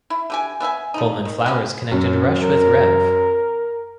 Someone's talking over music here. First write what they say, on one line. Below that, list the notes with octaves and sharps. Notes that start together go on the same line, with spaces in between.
Coleman Flowers connected Rush with Rev.
E4
D3 G4 G#5
B3 E5 F5 G#5
F3 D#4
D#3
F#3 G#3 B3 C#4
F#2
A#4